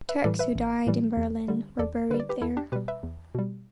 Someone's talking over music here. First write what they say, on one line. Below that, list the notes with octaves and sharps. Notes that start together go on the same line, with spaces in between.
Turks who died in Berlin were buried there.
B4 E5
A2 E3 G3 A4 D5
B4 E5
A1
A2 E3 G3
E2
D3 G3
E2 A4 D5
D3 G3 B4
D5
G4 B4
E2 E4 A4
D4 G4
B2 G3 G4 B4
B4 E5
E2
B2 G3